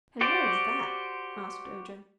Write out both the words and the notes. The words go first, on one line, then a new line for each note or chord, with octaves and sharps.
"And where is that?" asked Ojo.
F#4 G4 C5 D5